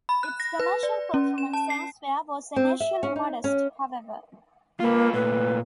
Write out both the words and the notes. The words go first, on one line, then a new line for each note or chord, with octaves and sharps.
Its commercial performance elsewhere was initially modest, however.
B5
F#6
A#6
B4
D5
C#4
E7
A5
C7
C4
E5
C#4
D#4
C#4
A#3 F4 B4
A#2 A3 B4